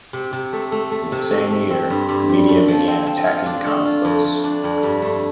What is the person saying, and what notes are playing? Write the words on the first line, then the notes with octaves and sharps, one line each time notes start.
In the same year, the media began attacking comic books.
C3
C3
A3
A3
A3
C3
A3
A3
C4
G2
G2
G3
A3
F3
C4
C4
F4
D4
A3
F4
F2
F2
D4
F2
G2
A3